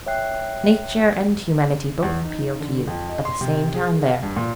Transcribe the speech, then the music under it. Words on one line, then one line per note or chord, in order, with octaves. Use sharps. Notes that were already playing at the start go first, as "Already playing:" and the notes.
Nature and humanity both appeal to you at the same time there.
C#5 E5 G5 F#6 C7
E2
D#4
D3
F2
D#5
C6
C3
G#4
F5
G2
A#2